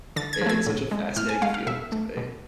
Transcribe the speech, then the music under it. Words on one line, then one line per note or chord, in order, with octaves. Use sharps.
I it's such a fascinating field to me.
D3 A6
G#6
F3
A3 G#6
A2
G#3
A2 F6
G#5
G#3 F5
F5
B2 E5
A3
B2